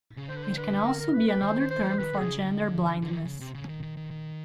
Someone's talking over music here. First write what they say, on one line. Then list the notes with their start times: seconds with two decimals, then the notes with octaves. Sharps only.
It can also be another term for gender-blindness.
0.17 C#3
0.29 D3 C5
0.37 B4
0.44 C5
0.57 B4
0.86 A#4
1.00 A#4
1.14 B4
1.28 B4
1.42 D#3 C5
1.60 D#3
1.71 C5
1.80 E3
1.90 C5
1.99 D#3 B4
2.13 D#3
2.18 C3 G#4
2.27 C#3
2.41 D3
3.02 D3
3.11 D#3
3.25 C#3
3.40 C3
3.54 C#3
3.69 D#3
3.82 D#3
3.97 D#3
4.11 D#3